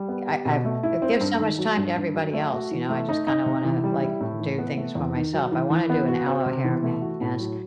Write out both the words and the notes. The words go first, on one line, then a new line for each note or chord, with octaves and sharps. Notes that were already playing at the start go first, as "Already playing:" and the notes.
I I've I give so much time to everybody else, you know? I just kinda wanna, like, do things for myself. I wanna do an aloe hair mask.
Already playing: G3
B3
G4
B2
A3
E4
C4
G2
D#3
F#3
G2
G2
F#3
A3
F#4
E3
A3
D#4
D#4
C3
E3
G3
E4
A2
E3
B3
A3
E2
D#3
F#3
E3
E3
B3
F#4
C4
C3
E3
A3
F#4
A2
F#3